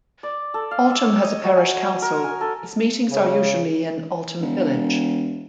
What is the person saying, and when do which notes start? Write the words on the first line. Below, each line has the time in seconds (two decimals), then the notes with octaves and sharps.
Altham has a parish council; its meetings are usually in Altham village.
0.23 D5
0.54 A4
0.71 F5
0.91 E5
1.04 C#5
1.23 D#5
1.44 F#3
1.57 G#5
1.76 C#5
2.02 A#4
2.24 G#5
2.41 A4
3.10 C#3
4.41 E1